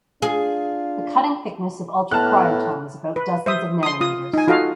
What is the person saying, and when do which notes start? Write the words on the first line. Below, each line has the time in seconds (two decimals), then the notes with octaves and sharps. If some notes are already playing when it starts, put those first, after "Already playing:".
The cutting thickness of ultracryotome is about dozens of nanometers.
0.22 D4 F4 G#4
2.11 A2 B3 A5 F6 F#6
3.16 B4
3.46 C5 E5 D#6
3.83 C6 D#6
4.01 F4 D#6
4.34 D#4 G#5
4.48 F4 F#4 A4 D#5 F5